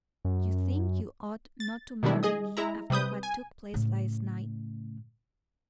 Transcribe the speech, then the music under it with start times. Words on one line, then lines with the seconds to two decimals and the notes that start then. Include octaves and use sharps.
You think you ought not to marry me after what took place last night.
0.25 F#2
1.60 A6
2.03 B2 D#3 F#3 G3 D4 E4
2.23 G#4 D#5 D#6
2.57 G#3 E4 A#5
2.90 C3 G3 B4 D#6 G6
3.23 G#5
3.74 A2 C#3